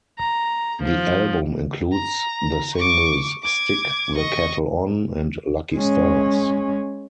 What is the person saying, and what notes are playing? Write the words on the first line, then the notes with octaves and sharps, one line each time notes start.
The album includes the singles "Stick the Kettle On" and "Lucky Stars".
A#5
F3
A#5
C#6 D6
D6 G#6
D#5 C#6
G#3 C#4